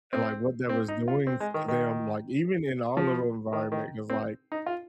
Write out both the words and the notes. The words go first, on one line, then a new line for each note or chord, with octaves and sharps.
and, like, what that was doing to them, like, even in our little environment, 'cause, like
C4
C4
D#4
F4
C4
G#3
D#3
D#3
F3
D#3
D#3
C4
D#4
F4